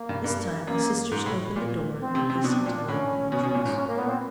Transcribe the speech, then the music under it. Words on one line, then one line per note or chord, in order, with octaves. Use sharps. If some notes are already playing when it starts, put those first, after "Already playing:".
This time the sisters opened the door and hastened to light the entrance.
Already playing: A#3
G2
G2
F#2 A#3
G#2
A2
A#2
C4
C3
C3
B2 D4
A#2
A2 C#4
B2
B2
A#2
G#2
C#4
A#3
A#2 B3
C4